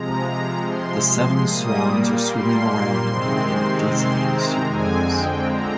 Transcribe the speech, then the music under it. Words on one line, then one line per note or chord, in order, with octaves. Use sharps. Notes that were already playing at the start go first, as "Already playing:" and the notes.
The seven swans are swimming around me in dizzying circles.
Already playing: C3 F3 G#3 A#5
C6
A#2 G3 A#3 D#6
C6
C3 D#3 G#3 C4
C6
A#5
F2 D3 G#3 C4 G#5
G5
A#5